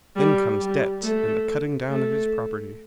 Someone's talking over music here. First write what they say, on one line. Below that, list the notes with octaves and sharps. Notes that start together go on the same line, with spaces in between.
Then comes debt and the cutting down of his property.
G3
G3
A3
A3